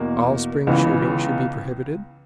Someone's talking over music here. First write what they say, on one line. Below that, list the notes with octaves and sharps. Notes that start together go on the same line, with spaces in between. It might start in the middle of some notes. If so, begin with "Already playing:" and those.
All spring shooting should be prohibited.
Already playing: E2 B2 A#3
C#2 C#3 E3 B3